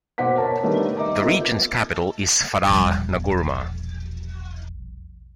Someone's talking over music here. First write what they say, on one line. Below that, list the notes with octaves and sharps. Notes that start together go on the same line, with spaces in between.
The region's capital is Fada N'gourma.
B2 A#3 C5 F#5 D6 B6
A#4 C#5 A5
D#3 G3 A3 B3 D4 A#4
D#4 E5 A#5 D6
A#3 B3 F4 A4 D#5 E5
E1 A#1 G3